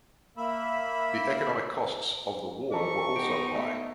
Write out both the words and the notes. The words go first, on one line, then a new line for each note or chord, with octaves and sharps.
The economic costs of the war were also high.
A#3 E5 B5
E3 C5 A5 A#5 C#6
B3 D#4 F#4 G4 D7
A3 D#5 E5